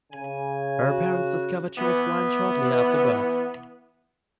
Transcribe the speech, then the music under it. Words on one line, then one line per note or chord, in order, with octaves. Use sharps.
Her parents discovered she was blind shortly after birth.
C#3 G#5
F#4
E3 B3